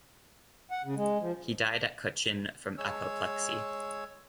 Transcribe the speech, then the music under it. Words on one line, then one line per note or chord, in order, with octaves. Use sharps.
He died at Cochin from apoplexy.
F#5
C#3
G#3
F3
G#3 C#5 E6